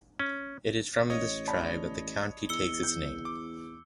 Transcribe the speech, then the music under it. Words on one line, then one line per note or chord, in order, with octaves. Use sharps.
It is from this tribe that the county takes its name.
C#4
A1 C#5 D#5
D5 A5 B5
E2 E6 C#7 G7
G6
D6